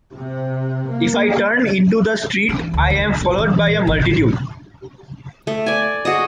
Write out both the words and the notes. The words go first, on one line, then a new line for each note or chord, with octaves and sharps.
If I turn into the street, I am followed by a multitude.
C3
A#3
E3
D2
D#3
B1
E3
A#2
A1
A1
A3
D5 G#5
F#4 G#4 D#5